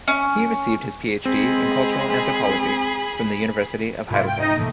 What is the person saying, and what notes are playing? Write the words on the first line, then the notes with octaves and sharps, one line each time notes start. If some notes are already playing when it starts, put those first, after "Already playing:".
He received his PhD in cultural anthropology from the University of Heidelberg.
C#4
G#3 C4 G#4 B5
G#2 C3 A#3 E4 F4
G5
D#4 D#5
B2 E3 A3 A#3